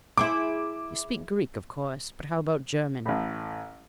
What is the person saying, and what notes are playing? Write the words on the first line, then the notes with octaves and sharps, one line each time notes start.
You speak Greek, of course; but how about German?'
E4 G#4 C5 D6
A1 A2